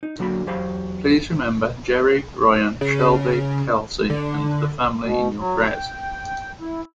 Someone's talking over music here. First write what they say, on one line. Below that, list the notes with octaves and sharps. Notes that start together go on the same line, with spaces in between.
Please remember Jeri, Ryan, Shelby, Kelsey and the family in your prayers.
D#4
D3 F#3 A#3 F#4 B5
E2 F#3 G4 C5 F5 B5
C#3
D3
B2
F#3
G5
E4